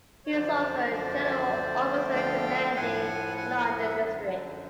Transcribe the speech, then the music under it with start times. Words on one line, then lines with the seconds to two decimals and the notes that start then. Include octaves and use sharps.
He is also General Officer Commanding London District.
0.25 C#5
0.32 F#2 D3 F3 C5 D5
0.92 C5 D5
1.54 D2 D3 F3
2.15 F5 G5
2.76 A2 F3 F#5 G#5
3.37 F#5 G#5
3.58 F#5 G#5
3.78 E5 F#5
3.98 F#2 D3 F3